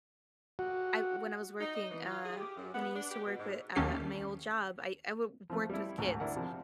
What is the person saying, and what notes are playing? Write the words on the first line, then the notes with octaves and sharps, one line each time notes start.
I when I was working, uh when I used to work with, uh, my old job, I I wo w worked with kids,
F#4
D#4
D#5
E3
F4
G#4
G4
F#2
B3
D4
G4
B2
G#2
D#2 D#3 A3 C#4 G4 C7
F3 A3
G3 E4
D2 G#2
D4 E4 A#4 F#5
C3 F3